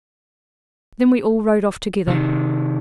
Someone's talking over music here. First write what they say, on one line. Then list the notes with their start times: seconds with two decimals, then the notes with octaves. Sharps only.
Then we all rode off together.
2.07 C3 D#3